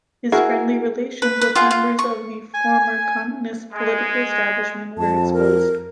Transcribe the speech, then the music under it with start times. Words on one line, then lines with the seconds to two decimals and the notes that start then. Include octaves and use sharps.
His friendly relations with members of the former communist political establishment were exposed.
0.32 E4 F#4 G#4 A#4
1.22 B4
1.41 B4
1.55 F4 G#4 F#5
1.71 F4
1.99 C#6
2.54 G#5
3.73 G#3
4.98 F2 A5
5.34 A#4